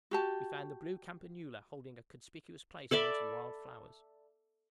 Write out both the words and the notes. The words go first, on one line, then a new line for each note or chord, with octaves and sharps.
We found the blue campanula holding a conspicuous place amongst the wild flowers.
F#4 G4 A5
A4 D5 E5 B5